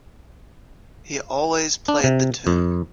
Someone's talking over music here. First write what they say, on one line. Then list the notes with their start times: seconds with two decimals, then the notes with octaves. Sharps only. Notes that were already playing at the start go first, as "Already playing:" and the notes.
He always played the tune.
1.88 D4
2.04 C3
2.47 F2